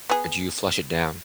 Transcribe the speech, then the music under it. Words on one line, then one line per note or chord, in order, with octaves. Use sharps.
or do you flush it down?
B3 G#4